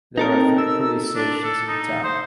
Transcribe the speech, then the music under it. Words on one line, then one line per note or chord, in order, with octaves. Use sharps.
There are three police stations in the town.
C4 D#4 A4 A#4
E6
D4
A4
D#4
C5